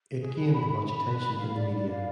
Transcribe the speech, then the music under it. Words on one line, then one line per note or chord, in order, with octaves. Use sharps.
It gained much attention in the media.
G#4
B4
B5
B5
B5
B4
B5
F5
D5
D5
F5